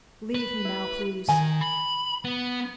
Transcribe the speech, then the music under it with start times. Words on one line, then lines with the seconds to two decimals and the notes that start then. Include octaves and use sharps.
Leave me now, please.
0.35 B4
0.65 E4
1.29 D#3 G#5
1.61 B5
2.25 B3